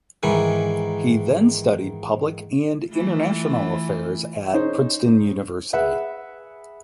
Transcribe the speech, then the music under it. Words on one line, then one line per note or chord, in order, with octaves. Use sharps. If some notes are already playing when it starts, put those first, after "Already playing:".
He then studied public and international affairs at Princeton University.
G#2 D#3 E3 G#5
E3 A3 F4
C#4 D#4 C5
G#4 B4 E5 F#5